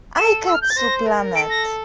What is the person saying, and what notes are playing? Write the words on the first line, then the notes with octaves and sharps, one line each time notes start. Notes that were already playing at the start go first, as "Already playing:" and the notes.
Aikatsu Planet!
A4 E7
E6
F6
G6
A6
C5 A#6
A#4
A4 D7
A#6